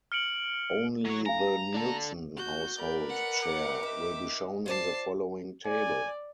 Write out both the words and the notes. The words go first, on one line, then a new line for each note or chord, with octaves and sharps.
Only the Nielsen household share will be shown in the following table.
F6 C#7 D7 F#7
F#3 C#5
F5 G#5 A#5
A5
D4 A4
F#4 G6
A#4 B4 D5 B5
F#5 C#7
G4 D6
D#4 E5
F4 C5 D5 A5 C7
D5 G#5